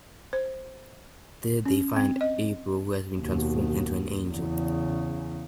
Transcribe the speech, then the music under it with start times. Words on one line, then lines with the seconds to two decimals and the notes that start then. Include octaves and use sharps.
There they find April, who has been transformed into an angel.
0.33 C5
1.66 C#4
1.97 C4
2.21 D#5
3.18 D#2 B2
4.29 E2 C#3